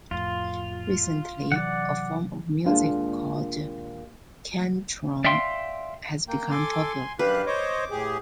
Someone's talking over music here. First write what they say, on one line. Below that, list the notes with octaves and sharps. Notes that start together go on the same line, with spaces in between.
Recently, a form of music called "kantrum" has become popular.
F2 A2 F4
C3 E3 F#3 D5 F#5
D#2 A#2 G#3 D4 F4 A5
D5 E5 F5 G5 C6
A#3 G5
A4 G#5 C6 D6
F#2 D4 G4 B4 F5 F#6
C5 C#5 D#5 D6
A2 G4 G#4